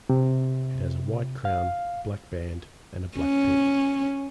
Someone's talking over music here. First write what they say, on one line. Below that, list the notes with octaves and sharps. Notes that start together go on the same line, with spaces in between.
It has a white crown, a black band and a black peak.
C3
F5
C#4